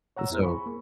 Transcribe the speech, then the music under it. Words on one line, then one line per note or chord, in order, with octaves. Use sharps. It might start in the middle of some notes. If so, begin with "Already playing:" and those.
Eh, so
C#5 F#5 A#5 E6
F2 B3 E4 G#4 C5
G#4 B5 C#6
A#3